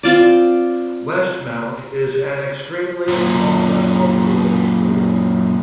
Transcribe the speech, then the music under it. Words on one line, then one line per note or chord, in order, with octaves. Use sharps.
Westmount is an extremely multicultural school.
C4 F4 D5
F#2 A#2